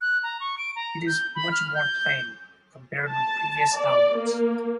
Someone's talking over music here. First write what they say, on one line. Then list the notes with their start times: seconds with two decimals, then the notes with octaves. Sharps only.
It is much more plain compared with previous albums.
0.01 F#6
0.23 A#5
0.40 C#6
0.58 D7
0.76 A#5
1.07 G6
1.35 B5
1.52 F6
1.75 G6
3.09 A5
3.77 D5
4.16 A#3